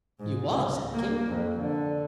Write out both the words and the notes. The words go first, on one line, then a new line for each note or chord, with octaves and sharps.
'You are,' said the King.
G#2
C#2
A#3
F2
D3